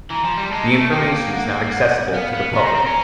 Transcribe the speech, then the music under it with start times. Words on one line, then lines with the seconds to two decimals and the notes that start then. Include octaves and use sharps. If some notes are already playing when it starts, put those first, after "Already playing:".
The information is not accessible to the public.
0.11 E3 A#5
0.25 F3
0.38 G3
0.52 G#3 A5
0.72 A3
0.92 A#3 G5
1.33 F#5
1.74 F#5
2.14 B3 F5
2.34 B3
2.55 B3 A#5
2.65 C4
2.75 C4
2.86 C#4